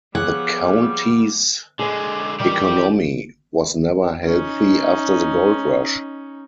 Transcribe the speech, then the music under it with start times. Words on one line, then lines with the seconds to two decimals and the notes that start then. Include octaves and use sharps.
The county's economy was never healthy after the gold rush.
0.15 F3 G3 B3 G#4 C#5 F#5 G#6
1.79 D3 G#3 G#4 D#5
2.40 D#3 E3 G3 G4 D5
4.24 C#4 D#4